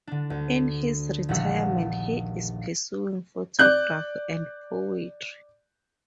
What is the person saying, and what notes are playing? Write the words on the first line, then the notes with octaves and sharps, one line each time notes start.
In his retirement he is pursuing photography and poetry.
D3 D4
D2
D#1 A#1 G4 F#5 E6
D5 F#6 G6